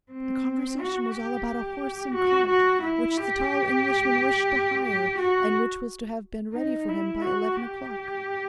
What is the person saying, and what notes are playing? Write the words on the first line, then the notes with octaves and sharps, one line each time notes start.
"The conversation was all about a horse and cart, which the tall Englishman wished to hire, and which was to have been ready for him by eleven o'clock."
C4
F#4
G4
G4
F#4
F#4
E4
G4
G4
F#4
D#4
E4
F#4
G4